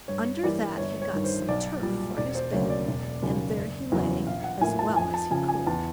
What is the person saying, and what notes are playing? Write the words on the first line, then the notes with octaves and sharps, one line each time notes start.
Under that he got some turf for his bed, and there he lay as well as he could.
G2 C#5
E3 G3 A#3 D5
G1 C#5
C#5
G2 D#3
C5
B1 D5
A#2 G3
E1 D5
C5
D2 C#3 F#3 A#3 C#5
D5
E1
D#2 C#3 F#3
F#1
E2 C#3 F#3
A#1 F5
F#5
A2 F3 A#3 G#5
A5
F2 G#5
A5
C#3 F3 G#5
G#5
E2 A5